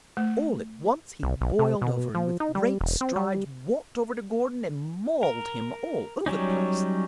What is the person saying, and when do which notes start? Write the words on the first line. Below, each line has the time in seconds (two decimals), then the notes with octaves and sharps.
All at once he boiled over and with great strides walked over to Gordon and mauled him all over the place.
0.17 A3
1.23 C2
1.41 B1
1.59 C3
1.82 B2
2.15 F3
2.40 D#4
2.55 G3
2.81 E1
3.01 C4
3.16 G3
5.23 A#4
6.26 F#3 G3 C#4 D#4